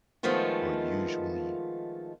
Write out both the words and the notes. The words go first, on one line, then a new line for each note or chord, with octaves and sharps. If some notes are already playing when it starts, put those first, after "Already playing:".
or usually
D#3 F3 G#3 A3 B3 F4